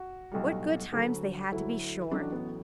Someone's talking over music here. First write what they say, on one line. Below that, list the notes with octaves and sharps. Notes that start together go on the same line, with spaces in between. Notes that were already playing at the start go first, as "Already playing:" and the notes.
What good times they had, to be sure.
Already playing: F#4
B1 A2 G3
D2 D3 F#3
D2 D3 F#3 E4
A1 A2 F#3 D4
B3